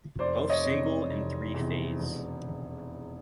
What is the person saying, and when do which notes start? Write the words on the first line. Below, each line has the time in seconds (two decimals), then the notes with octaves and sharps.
Both single and three phase.
0.19 F1 C5 D5
0.50 C#5 D#5
0.65 E2 C3
1.10 F1
1.54 E2 C3
1.99 E1